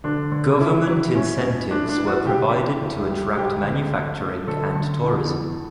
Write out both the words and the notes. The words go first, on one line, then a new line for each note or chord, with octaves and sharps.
Government incentives were provided to attract manufacturing and tourism.
D3 D4
D3
C#2 E4
F#3 E4
E2 C#4
E2
A3 D4
D4
E3
F#4
C#3 G4
E3
D2
G3
D2 G4
D3
A3
A3
D3 A4
D3
E2
E2